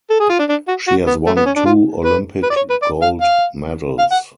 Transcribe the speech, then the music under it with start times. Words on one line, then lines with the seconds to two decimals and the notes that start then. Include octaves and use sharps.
She has won two Olympic gold medals.
0.10 A4
0.20 G#4
0.30 F4
0.39 D4
0.49 D4
0.68 F#4
0.88 F#4
1.07 B3
1.26 A3
1.36 B3
1.46 C#4
1.56 D4
1.66 F4
2.05 B4
2.43 B4
2.50 D5
2.56 C#5
2.70 B4
2.82 D5
3.02 F5
3.21 F5
3.99 F5
4.12 F#5